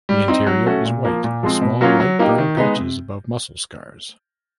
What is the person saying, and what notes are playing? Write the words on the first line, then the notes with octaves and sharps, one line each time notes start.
The interior is white with small light brown patches above muscle scars.
G3
C4 D#4
F#3
A3 C#4 F#4
A#2
F3 A#3
A#2
F3 G#3 C4
B2
F#3 A#3 C#4 F4
F#3
A#3 D#4 G4
D#3
G#3 B3 D#4
C3